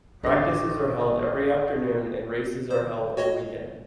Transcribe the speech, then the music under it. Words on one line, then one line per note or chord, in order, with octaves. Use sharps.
Practices are held every afternoon and races are held on the weekend.
A1 D3 A3 C4 G4 D5 D#5 A#6
C5
F#4 C#5 D#5